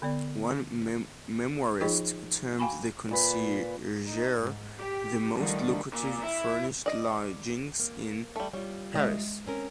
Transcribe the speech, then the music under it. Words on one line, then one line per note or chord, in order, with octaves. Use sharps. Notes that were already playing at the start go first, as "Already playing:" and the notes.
One memoirist termed the Conciergerie "the most lucrative furnished lodgings in Paris".
D3 B3 D5
F3 D#4 F4 G#4 D#5 G5
F#4 F5 G5 G#5 B5 C#6
A#2 B4
D#4
G#2
G4
D3 D#3 F3 G3 A3 D4
A#2
E4
D5 D#5
A#3
G3 A3
G3 F4 C#5
G#3 D#5 E5
C4 C#4 A#4